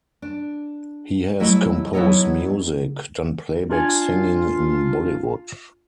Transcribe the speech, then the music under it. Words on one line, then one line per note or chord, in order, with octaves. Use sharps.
He has composed music, done playback singing in Bollywood.
D4
F#3 G3 A3 E4 D#5
F#3 B3 E4 A4 C#5 D#5
D4 F4 G#5